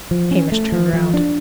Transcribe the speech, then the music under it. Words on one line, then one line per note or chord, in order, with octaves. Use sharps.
Hamish turned round.
F3
C#4
A3
F3
F3
D4